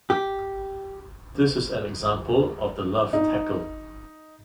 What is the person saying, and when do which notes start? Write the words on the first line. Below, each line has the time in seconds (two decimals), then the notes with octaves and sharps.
This is an example of the Luff tackle.
0.10 G4
3.13 D#4